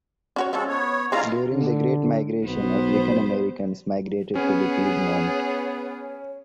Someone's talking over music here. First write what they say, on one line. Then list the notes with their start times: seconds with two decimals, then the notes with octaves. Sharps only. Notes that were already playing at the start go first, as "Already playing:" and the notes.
During the Great Migration, African Americans migrated to the Piedmont.
0.36 C#4 F#4 C#5
0.53 F3 G#3 C#4 A4
0.68 B3 C#5
1.12 D3 E3 G#3 F4 F5 A#5
1.52 D3
2.45 B1 B3 C5
4.35 B3 C#4 G#4 C#5